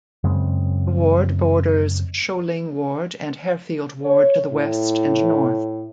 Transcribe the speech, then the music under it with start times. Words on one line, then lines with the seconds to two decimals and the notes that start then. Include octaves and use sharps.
The ward borders Sholing Ward and Harefield Ward to the west and north.
0.24 F#2 C#3 G#3 C4
4.05 C#5
4.52 A2